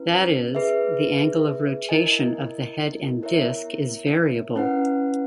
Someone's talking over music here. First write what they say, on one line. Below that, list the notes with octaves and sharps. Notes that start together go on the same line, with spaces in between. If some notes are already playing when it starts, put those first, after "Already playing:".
That is, the angle of rotation of the head and disk is variable.
Already playing: C#4 E4 B4
G#4 B4 E5
E4 A#4 D#5 G#5
B3 E4 A#4 C#5 E5
C#4 E4 B4 F#5